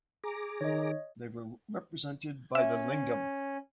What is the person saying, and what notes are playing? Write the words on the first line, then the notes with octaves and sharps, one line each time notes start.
They were represented by the "lingam".
G#4 A#5 D6
D#3 C#5 D#5
C#4 E5